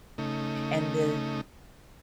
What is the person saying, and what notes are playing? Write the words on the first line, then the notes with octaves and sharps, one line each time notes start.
and the
C#3 A3 D#4